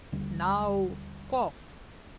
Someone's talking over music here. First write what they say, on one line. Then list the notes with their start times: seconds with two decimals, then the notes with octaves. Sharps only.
"Now cough."
0.12 D#2 D3 G3